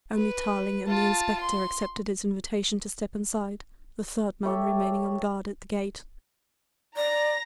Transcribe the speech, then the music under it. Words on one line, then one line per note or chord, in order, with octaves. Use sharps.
Only Tarling and the Inspector accepted his invitation to step inside, the third man remaining on guard at the gate.
B4
F4 A5
C6
G4 A4 C#5 E5
D5 A#5 A#6